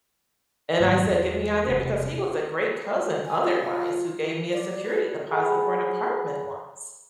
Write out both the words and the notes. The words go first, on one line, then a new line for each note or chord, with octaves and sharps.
and I said, "Get me on there." Because he was a great cousin otherwise who gave me a security deposit for an apartment once,
G#2 D#3 F#3 B3
E2
E1 C3 C#4
G#5
F4
D5
B4
G#4 A4 F#5 G#5 B5 F#6